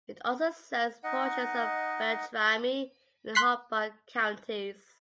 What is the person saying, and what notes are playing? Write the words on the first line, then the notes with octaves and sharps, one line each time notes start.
It also serves portions of Beltrami and Hubbard counties.
D#4 D#5 F#5
C6 F#6 B6 C7